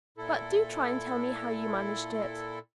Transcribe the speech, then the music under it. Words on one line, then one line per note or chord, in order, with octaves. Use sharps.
"But do try and tell me how you managed it."
A#2 E4 A4